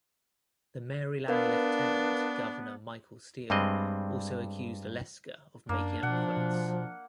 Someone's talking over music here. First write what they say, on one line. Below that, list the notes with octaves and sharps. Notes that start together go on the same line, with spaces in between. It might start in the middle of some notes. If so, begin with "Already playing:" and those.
The Maryland Lieutenant Governor Michael Steele also accused Olesker of making up quotes.
B3 D4 A#4 B4 F5
G2 G3 G#3 C4 D#5
F#2 A#3 D4
B2 F3 F#5
B2